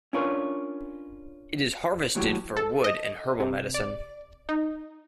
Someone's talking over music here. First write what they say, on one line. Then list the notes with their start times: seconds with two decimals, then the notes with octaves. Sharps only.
It is harvested for wood and herbal medicine.
0.13 C#4 D4 F4 A#4 B4 C#5
2.15 D#2 A2 F#3 G4
2.57 A4
2.84 D#5
3.40 C3
3.74 D5
4.49 D#4